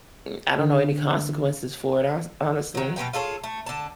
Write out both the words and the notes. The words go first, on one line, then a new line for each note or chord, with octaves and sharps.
m I don't know any consequences for it, hones honestly,
D3
D#3 F#3
B2 G3 B3 G5
F4 G#4 A4 C#5
A3
D3 A5